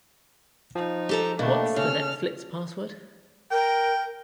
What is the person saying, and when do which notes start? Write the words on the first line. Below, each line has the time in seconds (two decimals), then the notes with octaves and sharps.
What's the Netflix password?
0.75 F3 D#4
1.09 G4 A4 A#5
1.39 B2 A3 A#3 D4 G4
1.76 C#3 A4 F6
3.51 A#4 G5